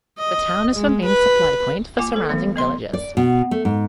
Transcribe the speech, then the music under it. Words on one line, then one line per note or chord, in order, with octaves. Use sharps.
The town is the main supply point for surrounding villages.
D#5
G#3
B4
A#3 F4 G#5 D6
A4 C5
E3 F#3 A3 B3
B3 D#5 C6
D5
B2
A3
G#2